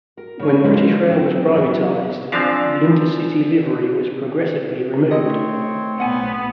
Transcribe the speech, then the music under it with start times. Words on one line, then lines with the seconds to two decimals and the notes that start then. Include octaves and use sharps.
When British Rail was privatised, the Intercity livery was progressively removed.
0.17 A#4
0.39 C#3 C#5
0.64 F3 G#3 A#3 D#4 B4
1.10 F2 F#3 C4
1.57 E2 C#3 F#3 G#4
2.32 F3 C4 D4 D5 F5 G#5
5.11 A3 C4 C#5 D#5
6.00 B1 A2 B3 F#5 G#5